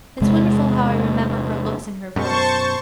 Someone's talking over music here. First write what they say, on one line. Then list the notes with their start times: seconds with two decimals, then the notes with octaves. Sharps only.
It's wonderful how I remember her looks and her voice.
0.21 E2 C3 G#3
2.16 F#2 B2 C5 A5 C#6